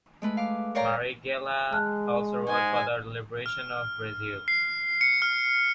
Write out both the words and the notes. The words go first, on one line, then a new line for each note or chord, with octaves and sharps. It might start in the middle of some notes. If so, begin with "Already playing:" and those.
Marighella also wrote "For the Liberation of Brazil".
G#3 A3 B4
F5 D6
A#4 C#5 D5 F5 G5 A#5
G#3 A5 F6 F#6
G#2 G#3 G#5
F6
C7
C#7
F6